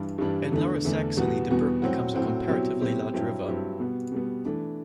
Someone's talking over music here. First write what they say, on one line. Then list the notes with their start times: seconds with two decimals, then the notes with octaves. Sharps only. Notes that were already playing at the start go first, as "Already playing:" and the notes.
In Lower Saxony the brook becomes a comparatively large river.
Already playing: G2 E3 G3 D4
0.18 G2 E3 G3 D4
0.52 E2 D3 A3 D4
0.85 E2 D3 A3 D4
1.17 E2 B2 G3 B3 F#4
1.50 E2 B2 G3 B3 F#4
1.82 A2 F#3 C4 F#4
2.15 A2 F#3 C4 F#4
2.48 B2 F#3 C4 E4 G4
2.81 B2 F#3 C4 E4 G4
3.14 G2 F#3 C4 E4 G4
3.46 G2 F#3 C4 E4 G4
3.79 B2 G3 B3
4.12 B2 G3 B3
4.45 E3 A3 D4